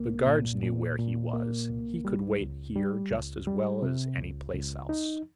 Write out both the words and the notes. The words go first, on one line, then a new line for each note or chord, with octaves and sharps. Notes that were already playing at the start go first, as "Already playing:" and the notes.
The guards knew where he was--he could wait here just as well as any place else.
Already playing: C2 A#3
A#2
A#2
A#2
A#3
C2
G3
C#2
G3
C#2
G3
C3
C#2
C#2
D#4